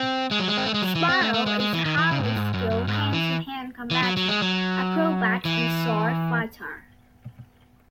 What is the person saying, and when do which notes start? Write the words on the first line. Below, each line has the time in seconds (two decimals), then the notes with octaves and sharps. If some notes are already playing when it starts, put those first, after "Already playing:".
Spiral is a highly skilled hand-to-hand combatant, acrobat, and sword fighter.
Already playing: C4
0.31 G#3
0.40 F#3
0.48 G#3
0.57 C4
0.66 A3
0.74 G#3
0.82 F#3
0.95 E3
1.09 C4
1.21 A3
1.34 A3
1.46 G#3
1.60 G#3
1.73 E3
1.85 D#3
1.97 E3
2.11 C#3
2.19 G#2
2.23 A2
2.36 G#2
2.54 F#2
2.71 F#2
2.88 G#2
3.13 E3
3.91 E3
4.03 F#3
4.17 F#3
4.29 G#3
4.42 F#3
5.45 E3